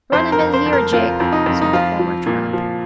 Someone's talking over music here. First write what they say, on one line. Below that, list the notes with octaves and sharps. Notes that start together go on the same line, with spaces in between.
"Run him in here, Jake," said the former tramp.
F2 C5
A#4
F2
C5
F2
A#4
F2 F4
F2
D#4
F2
D#4
F3 F4
F3
A#2
F3